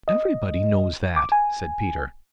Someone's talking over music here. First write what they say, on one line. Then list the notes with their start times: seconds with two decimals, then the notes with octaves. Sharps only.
"Everybody knows that!" said Peter.
0.08 D#5
1.16 D6
1.32 G#5